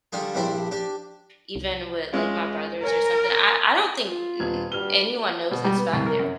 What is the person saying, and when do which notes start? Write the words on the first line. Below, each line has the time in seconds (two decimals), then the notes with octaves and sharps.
even with, like, my brothers or something, I I don't think n anyone knows it's back there.
0.13 D3 G3 F4 G#4
0.35 A#1 G2 C4 D4 E4 B5
0.71 D4 G4
1.56 C2
2.13 G#3 C#4 F4
2.83 A#4 C#5 G#5
4.07 F4
4.40 D#1 B3 G#6
4.72 G2 F#4 F6 G7
5.51 B2
5.64 G3
5.77 B3
5.93 C2
6.06 A#4
6.20 F#2